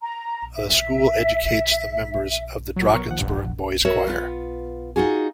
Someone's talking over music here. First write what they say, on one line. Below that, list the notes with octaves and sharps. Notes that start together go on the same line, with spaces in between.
The school educates the members of the Drakensberg Boys Choir.
A#5
E5
F#3
B2 A#4 C#6
D#2 F3 F#5
D1 A#1 G2
F1 A#1
F#4 A#4 C#5 E5
B3 F4
D#4 F4 F#4 G#4